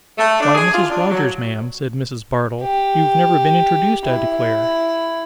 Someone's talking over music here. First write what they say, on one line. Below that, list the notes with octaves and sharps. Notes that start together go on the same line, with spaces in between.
'Why, Mrs. Rogers, ma'am,' said Mrs. Bardell, 'you've never been introduced, I declare!
A3
D4
G#4
F4
D4
F#3
G4
E4